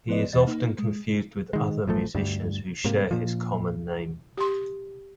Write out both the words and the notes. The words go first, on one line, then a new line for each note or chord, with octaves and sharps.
He is often confused with other musicians who share his common name.
F3 B3 B4 D5 D#5
E2 E3 D#5 A6
A#3 D#4
G#3
D#3 G#3
A1 F3 A3
D2 G2 G3
G#2 C3 A#3
A#2 F3
G4 C6